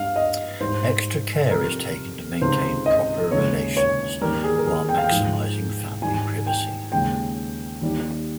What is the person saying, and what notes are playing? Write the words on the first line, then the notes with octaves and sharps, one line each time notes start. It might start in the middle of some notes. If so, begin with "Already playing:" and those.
Extra care is taken to maintain proper relations while maximizing family privacy.
Already playing: G2 G3 F5
D#5
G#2 G3 C5
F2 C3 G3 A#4
C#2 C3 D#3 C5
D#5
D#2 C#3 G#3 C#5
C#5
D#2 D#3 G3 A#4
G#4
A#4
G#4
G5
F5
G5
G#2 F3 G#3
G#2 D#3 G3 G#5
G5
D#2 C#3 G#3 G5
D#2 D#3 G3